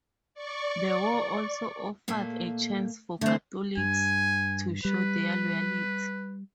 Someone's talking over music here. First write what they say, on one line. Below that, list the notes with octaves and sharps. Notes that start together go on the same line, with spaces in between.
The war also offered a chance for Catholics to show their loyalty.
D5 C#6
A#2 A3 A#3
D3 A3 C4
G2 G#5
G3 B4